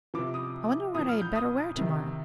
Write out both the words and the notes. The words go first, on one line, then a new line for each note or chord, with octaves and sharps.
I wonder what I had better wear tomorrow.
C3 F3 D6
D#6
A#2 F3 D#6
F6
G6
D#6
C3 D#3